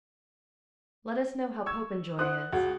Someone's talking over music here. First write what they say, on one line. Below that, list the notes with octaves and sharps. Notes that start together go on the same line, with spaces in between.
"Let us know how Popenjoy is."
C#6 E6 G#6
E4 C5 F#5 D#6 F#6
C#2 F#4